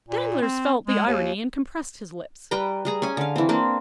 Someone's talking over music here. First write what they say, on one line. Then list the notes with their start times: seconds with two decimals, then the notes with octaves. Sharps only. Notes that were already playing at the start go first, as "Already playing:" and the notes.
Danglars felt the irony and compressed his lips.
0.09 A#2
0.42 C4
0.87 G#3
1.07 D#2
2.51 G3 B4 G5 A#5
2.85 G3 G#4 A#5
3.02 C#4 G#5
3.17 D3 F5
3.36 E3 C4
3.49 A#3 C4 D4